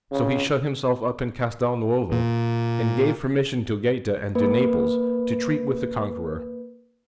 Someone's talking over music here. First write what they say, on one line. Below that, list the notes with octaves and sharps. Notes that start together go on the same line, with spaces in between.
So he shut himself up in Castel Nuovo and gave permission to Gaeta and to Naples to treat with the conqueror.
C#3
A#2
A#3 B4